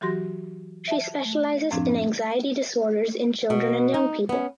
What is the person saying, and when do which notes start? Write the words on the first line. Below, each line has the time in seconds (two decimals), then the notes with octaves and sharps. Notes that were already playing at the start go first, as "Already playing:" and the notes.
She specialises in anxiety disorders in children and young people.
0.01 E3 F#3 F#4 G4 C6 A#6
0.88 E5 A5
1.25 A3
1.71 F#2 A2 F3 C4 D4
3.50 B2
3.94 D#4
4.29 B3 C#4